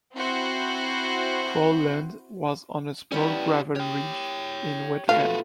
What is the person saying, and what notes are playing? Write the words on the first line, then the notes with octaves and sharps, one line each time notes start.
Crowland was on a small gravel ridge in wet fen.
C4 E4 F#4 C5
G3 B3 C#4 E4 G4
G4 C#5 G5
B2 A3 B3 F4 F#4 F5